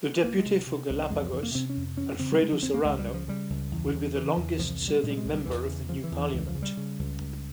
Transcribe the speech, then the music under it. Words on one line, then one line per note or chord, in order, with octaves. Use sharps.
The deputy for Galápagos, Alfredo Serrano, will be the longest-serving member of the new parliament.
C2 A#3
G#3
C3
C3
C2
F2 G#3
F3
C3 E3
A#3
C3 C4
C#4
F2
E2 C#4
C#3 C4
G3
C#3 G#3
F3
E2 C4
A#3
C#2 G#3
G3
C#3
F3
C#3 G3
C#2
E2
C#3
C#3 E3
E2
C2 F3
A#2
G3
A#2 G#3
G3
G#3
C2
G3
E2 E3
C#3
C#3 F3
E3
E2
E3
C#2 E3
F3
C#3
G3
C#3
C#2
C#2